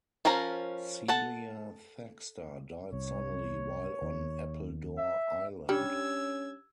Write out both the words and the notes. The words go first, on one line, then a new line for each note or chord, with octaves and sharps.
Celia Thaxter died suddenly while on Appledore Island.
F3 C#4 A#4 A#5
A4 F#5 A5
C2 C#5
D#2
E5
G3 C#4 D4 G4 E6 F6 G#6